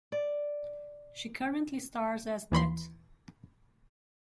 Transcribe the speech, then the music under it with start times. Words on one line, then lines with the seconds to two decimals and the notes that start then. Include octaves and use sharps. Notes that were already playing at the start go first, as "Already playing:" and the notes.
She currently stars as Det.
0.12 D5
2.52 D#2 E3 B5 C6